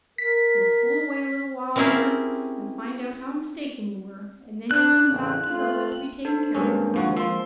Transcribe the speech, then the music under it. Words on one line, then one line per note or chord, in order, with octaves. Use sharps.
You'll fool away a little while there, and find out how mistaken you were; and then you'll come back to Herbert to be taken care of.
A#4 B6
C4 C#4 E4 G4 G#4 A#4
D4 F#6
A1 F#2 C#3
A3 C4 F4
D4 A4 C5
G2 G#3 A#3 C4 C#4
D#2 F3 F#4
F3 C6 E6